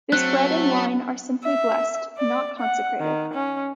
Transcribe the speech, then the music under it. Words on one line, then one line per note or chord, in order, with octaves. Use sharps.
This bread and wine are simply blessed, not consecrated.
F#3 A3 C4 F#6
E5
D5
F#5
D#3
C#4